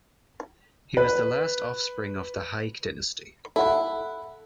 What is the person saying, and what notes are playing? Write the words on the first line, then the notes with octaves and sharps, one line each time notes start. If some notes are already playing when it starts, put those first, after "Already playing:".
He was the last offspring of the Hayk Dynasty.
B4
E4 A4 F#5